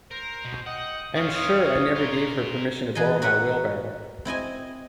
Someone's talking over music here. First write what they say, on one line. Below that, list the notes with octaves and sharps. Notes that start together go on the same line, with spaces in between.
I am sure I never gave her permission to borrow my wheelbarrow!
A#4 C5
B2
D#5 F#5 G5
C4 F4 C#5 D#5 F5 D#6
F4 A#4 C6
E3 G#4 A#4 D#5
F#4 A#4 B4 E5 F#5
C4 E4 D#5 G#5